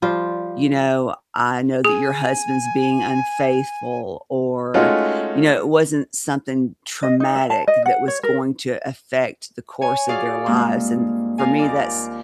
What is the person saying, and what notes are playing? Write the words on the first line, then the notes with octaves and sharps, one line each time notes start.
you know, I know that your husband's being unfaithful or, you know, it wasn't something traumatic that was going to affect the course of their lives, and for me, that's
F3 G3 F4 C5
G#4 G#5
G#3 A3 C#4 D#4 F4 F#4
D#5
D#4
E5
A5
D#5
F#5
C#5
A#4
C#5 G#5
F4 F#4 G#4 D5 F5
G2 G#3 A#3 C4
F4 A#4 F5 G#5
D#2 A#4 D5